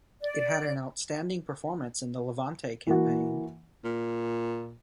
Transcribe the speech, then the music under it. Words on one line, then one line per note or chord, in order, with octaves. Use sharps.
It had an outstanding performance in the Levante campaign.
D5
E3 A#3 F#4
A#2